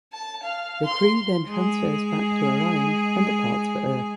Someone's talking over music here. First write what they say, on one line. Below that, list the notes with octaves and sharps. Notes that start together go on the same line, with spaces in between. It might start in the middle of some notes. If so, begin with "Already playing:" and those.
The crew then transfers back to Orion and departs for Earth.
A5
F5
C6
G#3 G#4